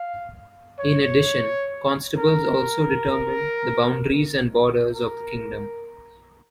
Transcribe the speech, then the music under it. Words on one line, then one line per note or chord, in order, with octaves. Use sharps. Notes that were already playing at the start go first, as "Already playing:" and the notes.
In addition, constables also determined the boundaries and borders of the kingdom.
Already playing: F5
C#5
A#4
A#4